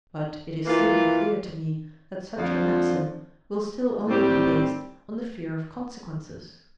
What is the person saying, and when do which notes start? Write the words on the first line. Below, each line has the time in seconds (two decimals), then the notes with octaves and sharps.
But it is soon clear to me that such a maxim will still only be based on the fear of consequences.
0.64 E3 A#3 F4
2.36 F2 D3 F3
4.07 A2 G3 C4 G4